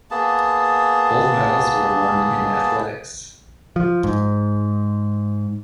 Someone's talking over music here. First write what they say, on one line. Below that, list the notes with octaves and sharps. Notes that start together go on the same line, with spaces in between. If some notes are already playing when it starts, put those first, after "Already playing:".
Both medals were won in athletics.
A#3 B3 G#4 A5
F3
G#2